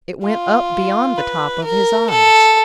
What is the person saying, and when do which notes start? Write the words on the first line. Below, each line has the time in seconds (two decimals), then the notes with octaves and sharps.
It went up beyond the top of his eyes.
0.24 F4
1.17 B4
1.64 A#4
2.10 A4